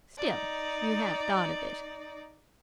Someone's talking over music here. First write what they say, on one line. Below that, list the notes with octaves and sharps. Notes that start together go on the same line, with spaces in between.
"Still, you have thought of it?"
D#4 D5